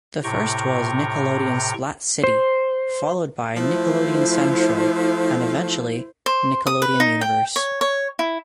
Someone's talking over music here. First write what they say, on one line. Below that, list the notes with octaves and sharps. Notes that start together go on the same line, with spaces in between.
First was Nickelodeon Splat City, followed by Nickelodeon Central and eventually Nickelodeon Universe.
A2 C3 G5 A#5 C#6
C5
F3 A3 E4 C5
C5
D#6
B4
D#4
G5
C#5
C#5
E4